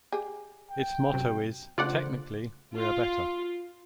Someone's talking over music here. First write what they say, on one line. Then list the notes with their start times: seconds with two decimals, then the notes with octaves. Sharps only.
Its motto is "Technically", we're better.
0.12 G4 G#4
0.70 G5
1.13 F#2 C3 F#3
1.78 C#3 A3 D4 F4 C5 D5 F#5
2.76 F4